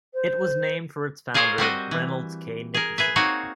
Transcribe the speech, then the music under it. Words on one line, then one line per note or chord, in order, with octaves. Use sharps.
It was named for its founder, Reynolds K. Nickerson.
C5
F4 G#4 A#4 C5 C#5 D#5
G3 C4 F#4 D#5
E3
G#4 A#4
G#4 B4 E5
A#3 C4 D#4 F#4 C#5